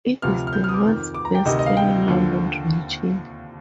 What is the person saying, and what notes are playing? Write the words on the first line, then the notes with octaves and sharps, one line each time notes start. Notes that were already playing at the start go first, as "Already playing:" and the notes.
It is the world's best selling London Dry gin.
D2 C3 F3 F6
F6
G6
F6
D#6
D6
F2 D#3
D6
A#5
G5
D2 C3 D#3 D#5
D#5
F5
G5
D#2 D3 F3